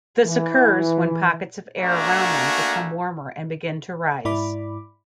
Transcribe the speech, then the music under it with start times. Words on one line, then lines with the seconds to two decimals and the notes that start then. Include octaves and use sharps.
This occurs when pockets of air around them become warmer and begin to rise.
0.25 E3
1.80 A3 A#3 D4 F#4 G#5 A#5
4.25 G#2 E4 D5 B5 D6